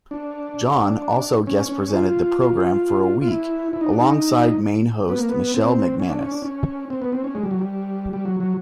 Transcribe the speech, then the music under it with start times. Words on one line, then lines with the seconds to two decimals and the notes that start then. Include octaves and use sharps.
John also guest presented the programme for a week alongside main host Michelle McManus.
0.11 D4
1.47 C#4
1.69 C#4
1.93 F4
3.22 F4
3.28 E4
3.73 E4
3.81 D#4
3.90 D4
3.98 D#4
5.09 B3
5.19 A#3
5.29 B3
5.54 C4
6.00 C#4
6.09 D4
6.21 C#4
6.31 D4
6.42 C#4
6.90 C4
7.02 B3
7.12 C4
7.24 C#4
7.35 G#3
7.43 G3
7.51 F#3
7.59 G3
8.13 G3
8.25 F#3
8.40 F#3